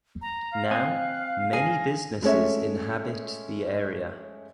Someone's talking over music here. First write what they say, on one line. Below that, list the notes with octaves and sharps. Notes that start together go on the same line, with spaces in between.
Now, many businesses inhabit the area.
A#5
F5
C4 D#5 G#5 F#6
G#4 G#5 A#6
G#3 A3 C#4 C#5 E5